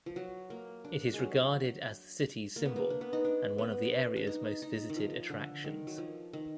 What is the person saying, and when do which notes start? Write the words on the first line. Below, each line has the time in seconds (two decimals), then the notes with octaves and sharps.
It is regarded as the city's symbol and one of the area's most-visited attractions.
0.06 F3
0.16 F#3
0.50 A#3
0.85 D4
1.14 G#3
1.19 F#3
2.56 A#3
2.65 B3
2.76 A#3
2.90 D4
3.01 B3
3.13 D#4
3.25 D4
3.58 B3
4.16 D4
4.27 D#4
4.62 D#4
4.90 D#3
4.96 F3
5.30 D3
5.64 D#3
5.87 F#3
5.98 F3
6.33 D#3